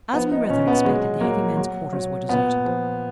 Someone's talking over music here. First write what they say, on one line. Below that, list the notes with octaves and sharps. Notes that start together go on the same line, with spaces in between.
As we rather expected, the heavy man's quarters were deserted.
F3 B3
D#4
A#2 C#4
B3
F#3 G#3
F#3 A#3
F#3
F#3
A#2 B3
F3